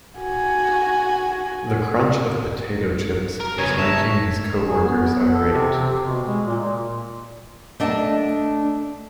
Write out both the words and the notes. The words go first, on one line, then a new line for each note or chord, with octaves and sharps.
The crunch of potato-chips was making his co-workers irate.
F#4 G#5
A#4
C#3 B3 C#5 G#5
C#5 E5 A5 A#5
G#4
B3
B3
A4
C3
C3
B2
G#3
A#2
A#2
A3 D4 D#5 F#5 A5